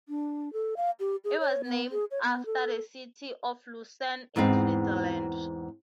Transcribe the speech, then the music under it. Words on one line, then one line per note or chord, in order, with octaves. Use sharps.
It was named after the city of Lucerne, in Switzerland.
D4
A4
F5
G4
G#4
C#5
B3
G#4
C#5
B3
A4
E2 G#2 B3 C4